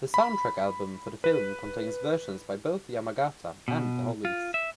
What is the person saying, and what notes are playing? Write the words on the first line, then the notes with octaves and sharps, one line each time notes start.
The soundtrack album for the film contains versions by both Yamagata and the Hollies.
B5
B4
B2
F4
E5